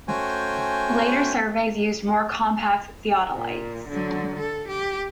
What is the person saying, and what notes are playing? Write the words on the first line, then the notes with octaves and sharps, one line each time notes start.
Later surveys used more compact theodolites.
A3 C#4 F#4 C5 G5 G#5
A#2
D3 F#3
A4
G4